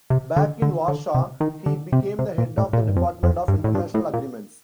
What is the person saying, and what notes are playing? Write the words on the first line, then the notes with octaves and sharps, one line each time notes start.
Back in Warsaw, he became the head of the department of international agreements.
C3
D3
D3
D3
C3
D#3
D3
C3
C3
A#2
A2
A#2
A2
G2
F2
F2
G2
A2
G2
A2
A#2